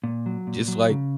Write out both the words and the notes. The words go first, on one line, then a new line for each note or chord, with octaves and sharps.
just, like,
A#2
F#3
A#2
F#3
C#3